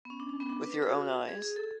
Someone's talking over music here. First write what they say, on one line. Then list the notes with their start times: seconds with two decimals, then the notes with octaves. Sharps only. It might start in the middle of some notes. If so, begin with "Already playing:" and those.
With your own eyes?
0.05 B3
0.10 C#4
0.20 D4
0.29 C#4
0.40 B3
0.50 D4
0.66 B4
0.75 A4
0.82 G#4
0.90 F#4
1.29 G#4
1.42 G#4
1.56 A4